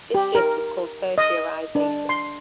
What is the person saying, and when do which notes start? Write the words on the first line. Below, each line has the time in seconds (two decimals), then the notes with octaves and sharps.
This shift is called tertiarisation.
0.15 G4
0.35 A#4
1.18 D#5
1.75 D4
2.09 C6